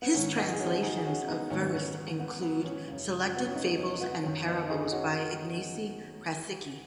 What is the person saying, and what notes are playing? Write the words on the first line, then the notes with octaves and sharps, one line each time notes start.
His translations of verse include selected "Fables and Parables" by Ignacy Krasicki.
B3
G#2 D#3 C#4
B3 D#4
G#4
C#4 F#4
D#4 G#4
G#4
C#4 F#4
B3 D#4
G#2 D#3 C#4
B3
C#4
B3
B3
C#4
F#2 C#3
C#4 F#4
B3
C#4
B3 D#4
C#4
B3
F#2 D#3 C#4
B3 D#4
D#4 G#4
C#4 F#4